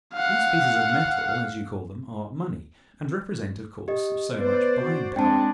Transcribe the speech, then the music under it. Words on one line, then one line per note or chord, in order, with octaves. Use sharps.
These pieces of metal, as you call them, are money, and represent, of course, so much buying power.
F5 F#5
G4 D#5
B3 B4 C5 D5
F#4
G#3 C4 D4 G5 A5